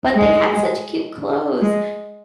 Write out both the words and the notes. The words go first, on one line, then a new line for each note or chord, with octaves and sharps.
But they had such cute clothes.
G#3
G#3